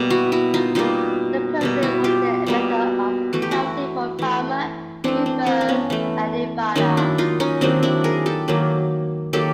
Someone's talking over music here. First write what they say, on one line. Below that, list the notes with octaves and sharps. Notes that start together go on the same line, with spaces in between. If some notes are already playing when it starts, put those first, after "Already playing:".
The "person" was their method of accounting for karma, rebirth, and nirvana.
Already playing: B2 G3 A#3
E4 F#4
E4 F#4
D#4 F4
B2 G3 A#3 D#4 F4
B2 G3 A#3
E4 F#4
F4 G4
B2 G3 A#3
E3 A3 F#4
G4
E4 F#4
E3 A3
E3 A3 C4 D4
C4
C4
D4
B3 C#4
E3 A3
D#3 F#3 A#3 C#4 D#4
D4 E4
D#4 F4
C#4 D#4
D#3 F#3 A#3 C4 D4
D4 E4
G#4 A#4
G4 A4
D#3 F#3 A#3
D#3 F#3 A#3 G4 A4